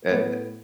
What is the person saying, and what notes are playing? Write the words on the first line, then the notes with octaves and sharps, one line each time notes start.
and, eh
A2 B3